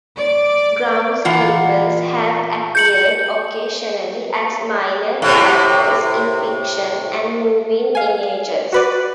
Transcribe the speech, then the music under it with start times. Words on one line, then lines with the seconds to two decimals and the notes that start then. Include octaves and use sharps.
Groundskeepers have appeared occasionally as minor characters in fiction and moving images.
0.16 D5
1.25 A#2 E3 F4 F#5
2.75 G6 C#7 F#7
5.22 A2 C3
7.95 F5 G#5
8.73 F#4 B4 D5